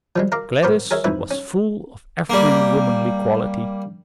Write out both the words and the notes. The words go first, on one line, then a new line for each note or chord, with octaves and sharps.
Gladys was full of every womanly quality.
F3 G3 G#3
A#4 F5 A#5 D6
A2 B3 A#4 C5 C#6 D6
G#4 A#4 C#5 E5
F2 G#2 E3 B4 E5
C#4
G3 A#3